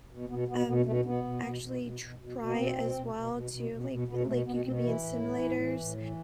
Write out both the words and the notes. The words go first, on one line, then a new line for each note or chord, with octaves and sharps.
um, actually try as well to like like, you could be in simulators
B2
B2 B3
B2 B3
B2 B3
B2 A3
B2 B3
B2
B2
B2
B2
B2
B2
B2
B3
B2 C4
B2
B2
B2
B2
B2
B2
B2
B2 B3
B2 A3
B2 B3
B2 C4
E3 E4
A2
E3
A2
E3
A2
E3